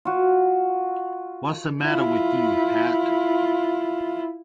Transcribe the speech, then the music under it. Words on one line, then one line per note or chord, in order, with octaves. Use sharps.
'Wassa madda wit you, hat?
F4 F#4
E4 F4